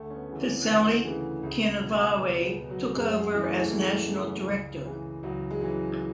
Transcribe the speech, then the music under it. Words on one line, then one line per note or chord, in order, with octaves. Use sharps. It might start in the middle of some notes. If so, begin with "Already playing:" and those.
Peceli Kinivuwai took over as National Director.
Already playing: D2 A3
C#4
B3
C#3 E3
C#4
D2
C#3 E3
C#2
B2
C#2 B3
G#3
B2
F#3
F#2 G#3
G#3
C#3 E3
A3
A3
F#2 G#3
C#3 E3
C#2
C#3 E3
C#2 F#3
G#3
C#3 E3 F#3